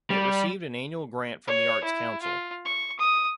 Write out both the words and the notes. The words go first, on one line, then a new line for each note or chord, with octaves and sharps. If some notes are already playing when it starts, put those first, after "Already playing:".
It received an annual grant from the Arts Council.
G3
C#5
E4
F4
C#6
D#6